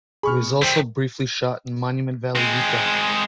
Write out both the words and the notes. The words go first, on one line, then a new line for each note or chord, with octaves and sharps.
It was also briefly shot in Monument Valley, Utah.
B2 G#4 B5 C#6 F6
D#3 G3 C5 G5 E6
G#3 C4